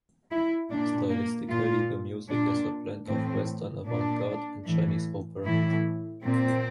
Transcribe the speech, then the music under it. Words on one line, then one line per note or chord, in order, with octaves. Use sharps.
Stylistically, the music is a blend of Western avant-garde and Chinese opera.
E4
A#2 D4
A#3
A#2 F4
A#2 D4
A2 E3 C4
A#2 D4
A2 E3
A2 E3 E4
A#2 C4